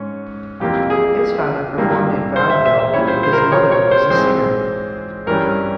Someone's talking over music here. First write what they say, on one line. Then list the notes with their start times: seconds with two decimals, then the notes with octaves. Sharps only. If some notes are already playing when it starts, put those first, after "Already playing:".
His father performed in vaudeville; his mother was a singer.
Already playing: G#2 C#4
0.60 F2 C3 E3 A#3 G4
0.90 G#4
1.78 G#1 G2 E3 G3 A#3
2.36 C5
2.50 E5
2.65 E5
2.79 E5
2.93 A#2 G3 C#4 E4 C#5
3.08 C5
3.23 C5
3.33 A#4
3.38 C5
3.52 C#5
3.71 C#5
3.91 C5
4.10 G#2 E3 G#3 C4 C5
5.26 G2 E3 G3 C#4 A#4